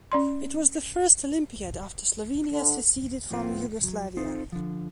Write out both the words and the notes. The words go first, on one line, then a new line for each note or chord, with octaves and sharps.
It was the first Olympiad after Slovenia seceded from Yugoslavia.
C#4 D5 C6
D3
A2 F3 A3 B3 C4 F4
F#3
C4 D#4 F4 A4 C5
D3 F3